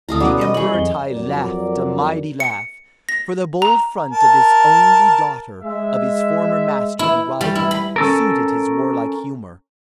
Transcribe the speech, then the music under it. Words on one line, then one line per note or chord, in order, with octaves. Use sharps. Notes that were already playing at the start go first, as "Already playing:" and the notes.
The Emperor Tai laughed a mighty laugh, for the bold front of this only daughter of his former master and rival, suited his warlike humor.
D2 E4 A4 F5 A#5 D#6
B2 B3 C#4 F#4 D5 D6
D#5
G3 E4 G#4 C#5 F#7
F2 G7
F2 F#3 A#4 D5
C#7
A#6
A#5
A#4 A5
G#3 E5
E4
G3
E4
B5
C#4 A4 A#4